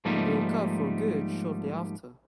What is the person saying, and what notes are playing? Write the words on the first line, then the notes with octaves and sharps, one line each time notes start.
They broke up for good shortly after.
G#2 F3 G3 A3 A#3 D#4